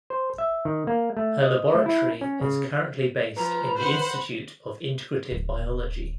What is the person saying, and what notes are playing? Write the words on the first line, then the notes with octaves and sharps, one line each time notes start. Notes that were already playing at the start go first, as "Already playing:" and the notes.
Her laboratory is currently based in the Institute of Integrative Biology.
C5
E5
D#3
A#3
A3
D#5
A3
E4
C#4
C#3
F3 B4 A#5
C5 F#5 B5
D1